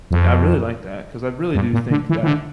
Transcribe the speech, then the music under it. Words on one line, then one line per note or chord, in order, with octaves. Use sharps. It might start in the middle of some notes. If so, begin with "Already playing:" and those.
Yeah, I really like that 'cause I really do think that
F2
G2
A#2
D3
E3
E3
D3